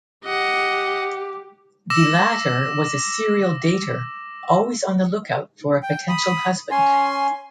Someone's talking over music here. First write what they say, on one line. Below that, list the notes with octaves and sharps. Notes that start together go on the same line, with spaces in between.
The latter was a serial dater, always on the lookout for a potential husband.
G4 D#5 F#5
D6 E6 A#6 E7
G5
B5 D#6
C#4 G#5 C6